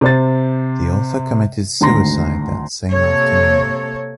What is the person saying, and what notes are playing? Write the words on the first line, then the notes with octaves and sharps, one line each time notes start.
The author committed suicide that same afternoon.
C3 C5 A6
G#1 D2 A#5 C6 A#6
C3 A#3 A4 C#5